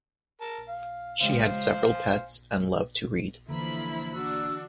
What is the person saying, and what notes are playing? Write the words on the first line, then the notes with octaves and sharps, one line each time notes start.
She had several pets and loved to read.
A#4 A5
F5
C#3 G#3 G4 C5 F5
G#5
D3 E3 F3 A#3 E4 A#5 B5
D4 F#4 E6